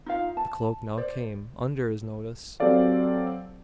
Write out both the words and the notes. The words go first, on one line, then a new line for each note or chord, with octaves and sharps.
The cloak now came under his notice.
D#4 F4 F5
A5
C5 D5
F#3 C4 G4 A4 D5 F5